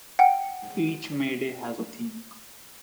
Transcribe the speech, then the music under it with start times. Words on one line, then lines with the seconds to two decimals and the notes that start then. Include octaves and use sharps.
Each Mayday has a theme.
0.19 F#5 G5